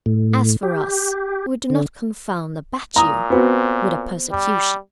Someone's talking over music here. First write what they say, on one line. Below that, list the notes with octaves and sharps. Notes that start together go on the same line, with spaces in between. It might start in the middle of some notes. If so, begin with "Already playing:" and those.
As for us, we do not confound a battue with a persecution.
A2
G4
D3
A#2 A#5 D#6
B3 C4 F#4
G3